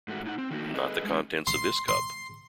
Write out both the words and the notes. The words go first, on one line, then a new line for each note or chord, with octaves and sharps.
Not the contents of this cup.
G#2 A3 F#4
A2 D#4 F#5
C4
D#3 A3 A#3 D#4 F#4
G#4 A4 B4 D#5
G#3 A3 C#4
C6
C6